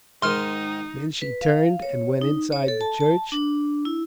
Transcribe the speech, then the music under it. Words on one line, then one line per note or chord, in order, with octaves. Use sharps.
Then she turned and went inside the church.
G#2 D#3 D#4 C6 F6
B4
F5
C#5
D#4
C#5
A4
A5
A5
D4
E4